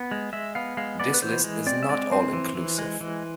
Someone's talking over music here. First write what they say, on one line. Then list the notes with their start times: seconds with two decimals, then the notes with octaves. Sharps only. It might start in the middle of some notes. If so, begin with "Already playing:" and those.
This list is not all inclusive.
Already playing: B3
0.11 G#3
0.33 G#3 E5
0.55 B3 F5
0.77 G#3 F5
1.00 B3 D5
1.14 B4
1.22 E3 C5
1.44 G#3
1.66 C4 D5
1.83 E5
1.89 G#3 D5
2.11 C4 C5
2.33 E3
2.55 E3
2.78 G#3
3.01 E3